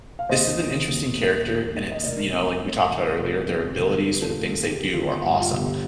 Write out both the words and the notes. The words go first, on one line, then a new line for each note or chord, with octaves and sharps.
this is an interesting character, and it's you know, like we talked about earlier, their abilities or the things they do are awesome,
F5
D#2 C5 D#5
D#3
D#2
A#3
D#2
D#3
D#5
F1 A#4 D5
F2
A3
D3
F1
F2
G1 G4 A#4
G2
F4 A4
A3
D#3 G4
G1 F4
G2
F4
G1 G4